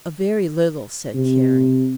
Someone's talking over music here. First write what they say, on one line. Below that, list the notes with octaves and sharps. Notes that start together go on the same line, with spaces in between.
"A very little," said Carrie.
C3